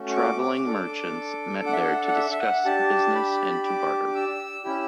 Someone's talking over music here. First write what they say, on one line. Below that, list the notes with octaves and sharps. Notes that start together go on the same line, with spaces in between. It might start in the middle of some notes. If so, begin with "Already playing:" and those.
Traveling merchants met there to discuss business and to barter.
Already playing: A3 C#4 F#4
C#6
D6
D6
D4 A4
F#5
E5
F#5
F#5
E5
E5
F#5
D4 G4 A5
B5
D6
E6
C#4 E4 G4